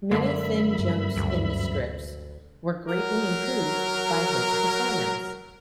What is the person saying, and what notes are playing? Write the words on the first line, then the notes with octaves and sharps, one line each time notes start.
Many thin jokes in the scripts were greatly improved by his performance.
F#2 D3 G#3 A#3 E5 B5
G2
D2
F#3 A#4